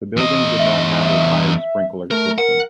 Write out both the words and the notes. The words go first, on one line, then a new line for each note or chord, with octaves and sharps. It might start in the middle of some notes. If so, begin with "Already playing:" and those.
The building did not have a fire sprinkler system.
E2 D#5
E5
A3 A#4
A#4 F#5